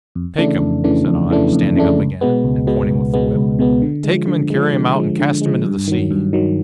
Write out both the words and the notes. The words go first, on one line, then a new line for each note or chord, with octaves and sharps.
"Take him," said I, standing up again and pointing with the whip; "take him, and carry him out and cast him into the sea."
F2
C#3 E3 A3 D4
F2
C#3 E3 A3 D4
F2
C#3 E3 A3 D4
F2
C#3 E3 A3 D4
C#2
B2 G#3 B3
C#2
B2 G#3 B3
C#2
B2 G#3 B3
C#2
B2 G#3 B3
D3
F3 G#3
D3
F3 G#3
D3
F3 G#3
D3
F3 G#3
G2
D#3 F#3
G2
D#3 F#3